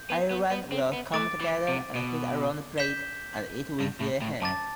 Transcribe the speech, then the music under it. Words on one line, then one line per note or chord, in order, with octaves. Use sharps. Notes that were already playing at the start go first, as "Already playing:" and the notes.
Everyone will come together and sit around the plate and eat with their hands.
Already playing: G6
B3
B3
B3
C4
B3
A3 D6 A6 D7
E3
C3
B2
G6 B6 E7 G7
G2
A2
A2
F#2 A5 D6 A6